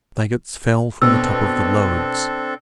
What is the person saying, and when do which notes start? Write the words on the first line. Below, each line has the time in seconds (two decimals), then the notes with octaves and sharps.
The fagots fell from the top of the loads.
1.02 B2 C4 D4 A4 E6